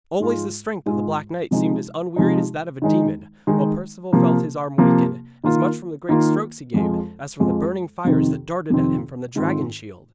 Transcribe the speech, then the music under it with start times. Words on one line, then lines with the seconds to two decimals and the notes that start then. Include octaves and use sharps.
Always the strength of the Black Knight seemed as unwearied as that of a demon, while Perceval felt his arm weaken, as much from the great strokes he gave, as from the burning fires that darted at him from the dragon shield.
0.20 G#2 G#3 F4
0.86 G#2 G#3 F4
1.51 C3 F3 G#3 D#4
2.16 C3 F3 G#3 D#4
2.82 D#3 G#3 D#4
3.47 D#3 G#3 D#4
4.13 C3 F3 A#3
4.78 C3 F3 A#3
5.44 D#3 A#3 F4
6.09 D#3 A#3 F4
6.74 F2 F3 G#3
7.40 F2 F3 G#3
8.05 F2 C3 D#3 C4
8.70 F2 C3 D#3 C4
9.36 G#2 D#3 C4 F4